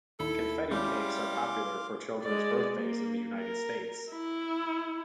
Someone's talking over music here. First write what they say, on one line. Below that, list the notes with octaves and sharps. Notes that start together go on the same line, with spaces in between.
Confetti cakes are popular for children's birthdays in the United States.
D#2 E4 A4
G3 G#3 C#4 F5 C6 D6
G#3 D5
A#3
A#4
E4